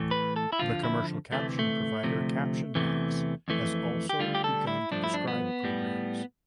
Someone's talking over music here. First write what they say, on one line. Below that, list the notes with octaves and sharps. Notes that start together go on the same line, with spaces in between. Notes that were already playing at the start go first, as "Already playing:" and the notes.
The commercial caption provider CaptionMax has also begun to describe programs.
Already playing: A2 E3 A3
B4
A4
E4
F2 D3 F3 F4
E4
D2 C3 E3 A3
A3
D2 C3 F3
E2 C3 E3 A3
F2 E3 A3
G4
D2 D3 G3 F4
G4
A4
E4
G2 F3 A3 D4
E4
D4
B3
A2 G3